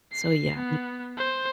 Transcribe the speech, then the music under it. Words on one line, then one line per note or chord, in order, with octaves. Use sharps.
So, yeah, we
C7
B3
C5